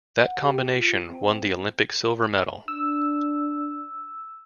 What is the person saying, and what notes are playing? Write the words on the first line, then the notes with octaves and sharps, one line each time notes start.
That combination won the Olympic silver medal.
F#5
G4
F4
C4
D4 E6